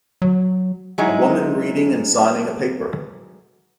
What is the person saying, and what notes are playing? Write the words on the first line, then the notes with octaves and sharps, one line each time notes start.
A woman reading and signing a paper.
F#3
F#3 G#3 D#4 E4